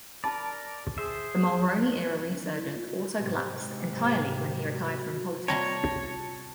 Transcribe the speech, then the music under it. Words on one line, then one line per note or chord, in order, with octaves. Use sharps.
The Mulroney-era resurgence also collapsed entirely when he retired from politics.
D#4 A#4 D5 A5 B5
G#4 C5 E5
G#2 C3
C3 G3 A#3 C#5 A5 A#6